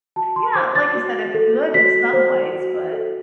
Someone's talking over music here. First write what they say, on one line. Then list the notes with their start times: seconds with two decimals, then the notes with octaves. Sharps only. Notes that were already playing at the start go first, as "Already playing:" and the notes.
Yeah, like I said, it's good in some ways, but
0.16 F#4 A5
0.36 C6
0.55 C5 D6
0.75 A6
0.95 F#4
1.34 A4
1.74 F#4 B6
2.13 C5
2.53 F#4
2.92 A4